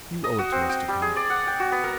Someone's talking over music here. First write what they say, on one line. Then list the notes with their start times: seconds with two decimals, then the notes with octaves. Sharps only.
You owe it to us to come.
0.24 D#5
0.38 F#4
0.52 C4
0.69 G5
0.88 G3
1.02 G#4
1.16 D5
1.30 F#5
1.47 G5
1.60 F#4
1.72 B3
1.84 A#4